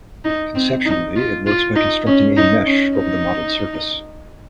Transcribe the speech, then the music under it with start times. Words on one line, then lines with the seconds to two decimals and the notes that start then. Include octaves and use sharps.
Conceptually, it works by constructing a "mesh" over the modelled surface.
0.25 D#4
0.55 C4
0.86 D#4
1.16 F4
1.46 F4
1.76 D#4
2.07 C#4
2.37 D#4
2.67 C#4
2.97 D#4